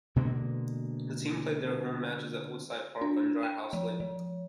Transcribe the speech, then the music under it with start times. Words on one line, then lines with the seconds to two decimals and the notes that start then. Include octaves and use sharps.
The team played their home matches at Woodside Park on Dry House Lane.
0.16 B2 D3 G#3 A#3
3.01 D4
3.43 G5
3.73 F3
4.00 F3